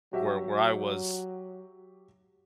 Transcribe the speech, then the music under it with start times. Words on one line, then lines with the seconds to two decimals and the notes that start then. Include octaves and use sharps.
where where I was,
0.13 F#3 F#4 G4 E5